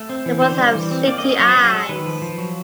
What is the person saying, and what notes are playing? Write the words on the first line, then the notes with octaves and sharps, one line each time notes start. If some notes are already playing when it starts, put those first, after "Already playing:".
They both have slitty eyes.
Already playing: A3
C4
E3
D3 C5
G3
E3
C4
A#3 D5
D#5
C#4
D#5
F#3 C#5
C5
F#3 B4
G#4
G#3 A4
D#3 B4
F3
F3
F#3